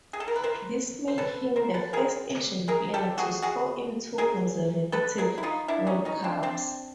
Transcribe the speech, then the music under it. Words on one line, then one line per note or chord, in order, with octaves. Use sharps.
This made him the first Asian player to score in two consecutive World Cups.
G#4
A4
A#4
B4
A#4 C5
C5
A4 B4
A#4 C5
A4 B4
G#4 A#4
G#4 A#4
G4 A4
F#4 G#4
F#4 G#4
G#4 A#4
A4 B4
G#4 A#4
E4
D#4 F4
D4 E4
C#4 D#4
C#4 D#4
C4 D4
C4 D4